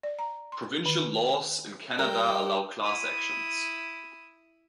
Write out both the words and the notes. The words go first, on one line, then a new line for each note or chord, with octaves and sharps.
Provincial laws in Canada allow class actions.
D5
A#5
C6
D#3
G3 A#4 G5
E4 D#6